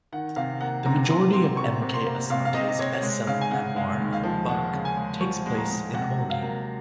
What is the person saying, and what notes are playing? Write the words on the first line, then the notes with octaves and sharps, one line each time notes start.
The majority of M. K. Asante's bestselling memoir Buck takes place in Olney.
D#3 F#5
C3 F5
A#3 F#5
C3 A#5
C3 C6
C3 C6
C3 C#6
C3
C6
A#3
C3 F5
F5
C3 D#5
C3 C#5
G#3
C#3 F5
G#5
C#3 F#5
G#3 F5
D#2
F5
F3
G#3 F#5
C#3
G#5
G#3
F3 C#6
G#3
A#5
G#3
C3 F#5
F#3
F5
A#3